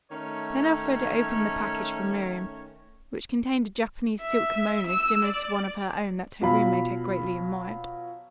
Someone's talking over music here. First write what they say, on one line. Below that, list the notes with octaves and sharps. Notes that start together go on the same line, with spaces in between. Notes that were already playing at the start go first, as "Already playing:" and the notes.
Then Elfreda opened the package from Miriam, which contained a Japanese silk kimono similar to one of her own that her roommate had greatly admired.
D#3 A3 C#4 C#5
E5
E6
D5
B2 F3 F#3 F5 B5